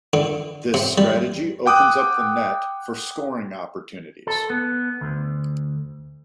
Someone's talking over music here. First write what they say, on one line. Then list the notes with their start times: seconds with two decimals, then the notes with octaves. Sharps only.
This strategy opens up the net for scoring opportunities.
0.13 D3
0.74 C3
0.98 G3
1.66 F#5 G5 D6 D#6 F#6
4.27 A4
4.50 B3
5.01 D2